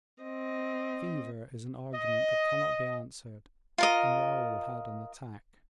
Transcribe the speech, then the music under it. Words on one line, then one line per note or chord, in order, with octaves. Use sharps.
Fever is an argument that cannot be answered, and Raoul had an attack.
C4 D#5
D#5
F4 A#4 D#5